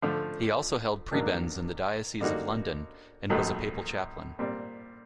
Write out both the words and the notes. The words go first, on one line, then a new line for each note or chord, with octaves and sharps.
He also held prebends in the diocese of London and was a papal chaplain.
D3 F3 A3
G2 D#3 F#3 A#3 D4
D3 G3 A#3 D#4 F#4
A#1 G#2 D#3 F#3 A3
A#2 G3 C4